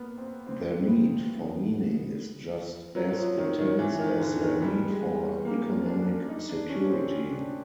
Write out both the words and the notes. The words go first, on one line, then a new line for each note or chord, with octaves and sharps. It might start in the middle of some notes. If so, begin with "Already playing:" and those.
Their need for meaning is just as intense as their need for economic security.
Already playing: A#3 B3
C4
C4
B3
F#3
F#3
F3
D#3
D#3
E3
D#3
D3
D#3
G3
G#3
A#3
D4
D#4
D4
C#4
C4
C#4
D4